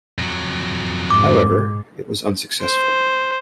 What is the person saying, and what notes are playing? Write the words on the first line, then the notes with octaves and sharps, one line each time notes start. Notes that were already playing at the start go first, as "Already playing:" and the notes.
However, it was unsuccessful.
F2 F#3
G#2 D6
C5